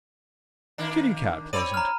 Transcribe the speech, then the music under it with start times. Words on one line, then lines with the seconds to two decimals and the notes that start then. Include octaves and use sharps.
Kitty-cat pleasant!
0.78 D#3 A#3 D4
1.53 C4 C#5 D5 B5 D#7
1.74 A#5 F6